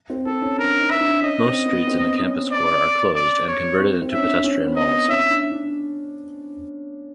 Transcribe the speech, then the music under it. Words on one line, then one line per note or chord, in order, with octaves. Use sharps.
Most streets in the campus core are closed and converted into pedestrian malls.
C4
C4 A4
C#4
D4 A#4
D#4
E5
D4
C#4 D#5
C4
B3
C4
C#4
D5
D5
C#5
C4
C4
C#4 E5
D4
C#4
B3
D#5
C4
C#4 E5
D4
D4